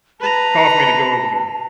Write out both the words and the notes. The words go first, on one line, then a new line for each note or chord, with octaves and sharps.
cause me to go over there.
B4 A5 A#5